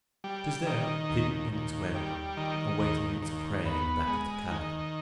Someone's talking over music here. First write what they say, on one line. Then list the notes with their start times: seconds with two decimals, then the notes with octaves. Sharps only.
It is there--hidden in its web--awaiting its prey in the back of the cavern!
0.24 G3
0.66 D#3
1.09 D#2
1.53 D#2
1.95 G3
2.37 D#3
2.80 D#2
3.22 D#2
3.66 B3
4.07 G#3
4.51 D#3